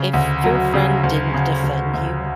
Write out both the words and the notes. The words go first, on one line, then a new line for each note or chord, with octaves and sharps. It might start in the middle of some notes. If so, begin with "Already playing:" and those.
If your friend didn't defend you
Already playing: C#3
D2
F#3
C#3
D2
C#3
D2
D2